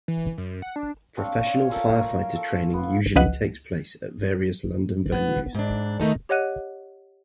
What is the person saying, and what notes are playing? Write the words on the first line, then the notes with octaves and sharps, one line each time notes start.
Professional firefighter training usually takes place at various London venues.
E3
F#2
F#5
D4
C4 D4 C#5 F5
C#5
C#4 F4 A4 A#4
F4 A#4
A4
B3 F4
C#2 F3 B4 D#5 F#5 F#6
B3
G#2 D4
D#3 A3 D#4 A4
G4 C#5 D#5 F#5 F#6 D#7